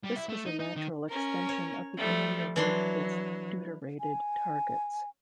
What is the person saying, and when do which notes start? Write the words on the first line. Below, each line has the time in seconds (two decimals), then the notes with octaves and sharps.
This was a natural extension of the earlier work with deuterated targets.
0.04 G3
0.16 E4
0.29 A3
0.46 D#4
0.59 D#4
0.76 D#3
1.10 C#4 A#4
1.49 C#5
1.97 F3 G3 A3
2.56 E3 F#3 D4 C6
4.00 G#5